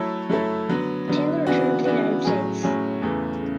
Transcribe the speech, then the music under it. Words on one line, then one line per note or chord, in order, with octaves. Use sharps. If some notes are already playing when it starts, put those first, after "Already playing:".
Taylor returned to the United States.
Already playing: F#3 A3 E4 A4 C#5
F#3 A3 E4 A4 C#5
D3 F#3 B3
D3 F#3 B3
C#3 E3 B3 D4 F#4
C#3 E3 B3 D4 F#4
A2 F#3 C#4 G#4
A2 F#3 C#4 G#4
E2 C#3 E3 A3
C#3